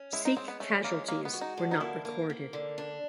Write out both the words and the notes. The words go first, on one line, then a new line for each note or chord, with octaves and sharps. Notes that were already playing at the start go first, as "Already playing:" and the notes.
Sikh casualties were not recorded.
Already playing: C#4
G#3 E4
D#4
G#3 C4
B3
A3 C#4
G#3 A#3
G#3 A#3
B3
F#4
D#4
D3
D#4
A#3 E4
A#3
A#3
D3
D4